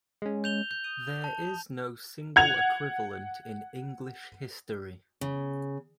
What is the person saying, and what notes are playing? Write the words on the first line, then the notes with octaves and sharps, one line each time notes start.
There is no single equivalent in English history.
G#3 C#4
G6 F7 G7
G6
D#6
A5
F#5 G#6 F7
C#3